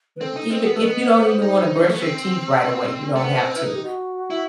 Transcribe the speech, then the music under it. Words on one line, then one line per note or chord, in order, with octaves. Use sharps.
E even if you don't even wanna brush your teeth right away, you don't have to,
B4
C4 A4
D#4
C4 B4
A4
B3 B4
A3
B3 D#5
D#5
C5
D#4
A3
B3
C4
A3
B3 C5
C4
E4 B4
D#4
G4
F#4
E4